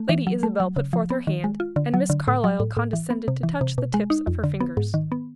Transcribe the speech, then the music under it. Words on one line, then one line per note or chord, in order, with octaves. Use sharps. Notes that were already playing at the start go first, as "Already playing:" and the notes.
Lady Isabel put forth her hand, and Miss Carlyle condescended to touch the tips of her fingers.
Already playing: A3
E3
F#3
A3
F#3
C#3
F3
B3
D#3
G#3
F4
D3
F#3
D3
A2
F#3
A2
A2
E3
B3
C3
E3
C3
B2
G#3
D#4
F2
D3
B3
G#2
D#3
B3